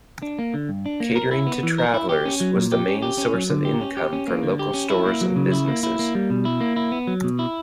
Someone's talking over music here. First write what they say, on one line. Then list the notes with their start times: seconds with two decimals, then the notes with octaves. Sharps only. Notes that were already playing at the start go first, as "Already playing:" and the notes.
Catering to travelers was the main source of income for local stores and businesses.
0.22 D4
0.39 A#3
0.54 D3
0.69 G2
0.86 D4
1.00 A#3
1.16 A#4
1.31 E4
1.47 B3
1.63 E3
1.78 A#4
1.94 E4
2.09 G4
2.26 C#4
2.40 F#3
2.56 A#2
2.72 G4
2.88 C#4
3.02 G4
3.18 C#4
3.34 F#3
3.50 D3
3.65 G4
3.81 C#4
3.97 G4
4.13 C#4
4.28 A#3
4.43 D3
4.59 G4
4.74 C#4
4.90 E4
5.06 A#3
5.21 F#3
5.36 C#3
5.52 E4
5.68 A#3
5.83 E4
5.99 A#3
6.15 G3
6.30 B2
6.45 E4
6.61 A#3
6.76 E4
6.92 B3
7.07 F#3
7.24 B2
7.39 E4